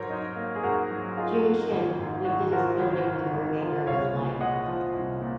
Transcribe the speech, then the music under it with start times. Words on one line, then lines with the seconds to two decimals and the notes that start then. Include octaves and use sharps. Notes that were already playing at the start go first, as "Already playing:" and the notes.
Junshin lived in this building for the remainder of his life.
Already playing: G#2 F#3 A#4 C5 C#5
0.10 D#4
0.36 A#3
0.56 G#4
0.64 G#2 F#4 A#4
0.91 F#3
1.17 D#4 F4 G#4
1.44 A#3
1.71 G#1
1.99 G#2
2.25 G#1 F#4
2.52 F3 F#4 A#4
2.79 G#1
3.07 G#2
3.33 G#1
3.60 F3
3.87 C2 C#5 F5
4.14 A#2
4.41 G#3 D#5 F#5
4.68 F3
4.95 C2
5.22 A#2